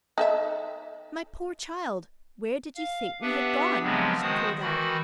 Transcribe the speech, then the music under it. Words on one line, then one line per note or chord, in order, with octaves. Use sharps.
"My poor child, where did you think we had gone?" she called out.
D#4 A4 E5
F5
B3 D4 G4 B4 E5 F#5
C#3 F3 F#3 G#3 B3 C4
D#3 G#3 F#4 C5 D#6
D#3 E3 F#4 B5